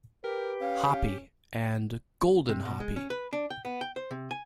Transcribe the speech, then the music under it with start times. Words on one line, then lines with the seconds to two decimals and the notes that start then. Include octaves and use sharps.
"Hapi" and "Golden Hapi".
0.24 G4 A#4 B4
0.61 C#4 F5
2.49 C3
2.65 B2
2.80 G#3
2.96 C#4
3.10 B4
3.33 D4
3.50 G5
3.65 B3
3.81 G5
3.96 C5
4.11 C3
4.31 G#5